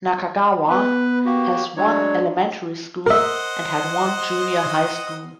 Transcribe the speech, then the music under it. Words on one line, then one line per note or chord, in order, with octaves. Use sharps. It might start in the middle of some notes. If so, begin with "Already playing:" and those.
Nakagawa has one elementary school and had one junior high school.
B3 B4
A#3 F#4 G4
F#3 G#3 D4 C#5
A#4 C5 D#5 E5 F#5